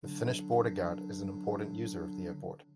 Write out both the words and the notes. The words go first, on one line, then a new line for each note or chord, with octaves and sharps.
The Finnish Border Guard is an important user of the Airport.
D3 F#3 D4